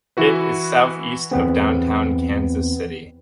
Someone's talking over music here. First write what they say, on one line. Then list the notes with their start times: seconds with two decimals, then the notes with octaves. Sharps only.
It is southeast of downtown Kansas City.
0.17 E3 E4 F#4 B4
1.31 E2 E3 B3 C4